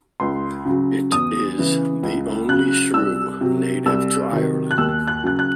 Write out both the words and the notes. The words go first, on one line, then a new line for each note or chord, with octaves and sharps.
It is the only shrew native to Ireland.
C#2 C6
C#3 F#3
E2 D#6
C#3 E3
C#2
C#3 F#3 F#6
C2 E6
C3 F#3
C2 E6
C3 D#3 F#3
F#6
D#2 E6
F#6
C#3 F#3 F#6
F#6